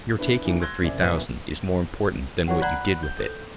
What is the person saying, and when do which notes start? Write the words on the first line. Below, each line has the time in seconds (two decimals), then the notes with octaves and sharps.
Your taking the three thousand is more important than what you did with it.
0.19 B3 D4 E4 B4
0.45 E3 A#3 D4 D#4
0.60 C6 E6 F#6 G#6 A#6 G7
0.82 F#1 C3 D5 G#5
1.01 F#2 A#2 B3 B4 B6 D#7
2.48 E3 F#3 F4 C5 C#5 F#5
2.62 D5 F#5 A#5 B5 F#6
3.03 G6
3.19 A4 C5